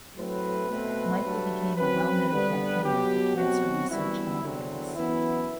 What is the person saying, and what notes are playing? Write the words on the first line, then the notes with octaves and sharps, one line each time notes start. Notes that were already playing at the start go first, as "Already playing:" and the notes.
Michael became a well-known campaigner for cancer research and awareness.
A2 F#3 A3 C4 B4
B2 A3 C4
G2 F#3 A3
F#2 F#3 C4 B4
G2 D3 G3 B3 B4
B2 F#3 B3 G4
B2 F#3 C4 F#4
F#2 E3 G3 B3 E4
E2 D3 F#3 C4
F#2 E3 B3 E4